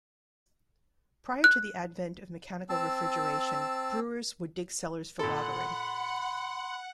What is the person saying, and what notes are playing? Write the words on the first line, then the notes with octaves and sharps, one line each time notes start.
Prior to the advent of mechanical refrigeration, brewers would dig cellars for lagering.
F#6
C4 A5 E6
A#2 A4 F#5 B5 C6